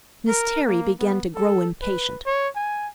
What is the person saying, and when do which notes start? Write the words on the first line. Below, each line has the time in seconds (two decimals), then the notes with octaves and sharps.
Miss Terry began to grow impatient.
0.28 A#4
0.67 A#3
0.99 B3
1.35 A4
1.82 B4
2.26 C#5
2.56 G#5